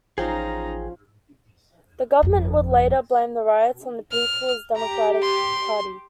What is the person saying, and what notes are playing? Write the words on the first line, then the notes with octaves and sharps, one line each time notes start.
The Government would later blame the riots on the People's Democratic Party.
A1 F3 C#4 D#4 G#4 F5 G5 A#5
G1 F2
F6
G4 A#5
C6